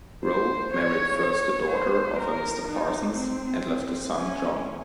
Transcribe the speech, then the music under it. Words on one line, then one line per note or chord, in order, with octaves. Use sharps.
Rowe married first a daughter of a Mr Parsons and left a son John.
C5
C#5
C#5
C5
A#4
D#4
C4
C#4